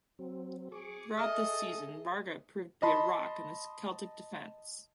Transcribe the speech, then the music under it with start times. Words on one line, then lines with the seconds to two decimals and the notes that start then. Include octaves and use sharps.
Throughout this season Varga proved to be a rock in the Celtic defence.
0.19 F#3 C4
0.72 G#4 C#6 D6
1.18 G#4 A4 D#5 E5 F6
2.82 D#5 A5 B5 C6